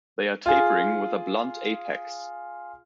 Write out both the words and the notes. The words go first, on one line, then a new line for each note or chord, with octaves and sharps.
They are tapering with a blunt apex.
F4 G#4